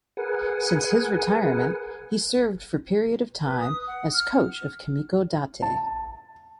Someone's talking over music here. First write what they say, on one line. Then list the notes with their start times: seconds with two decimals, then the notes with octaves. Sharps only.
Since his retirement he served for period of time as coach of Kimiko Date.
0.17 G#4 A#4 B4 F#5 G#5
3.46 B4
3.60 D#6
3.87 F#5
4.14 F6
5.62 A5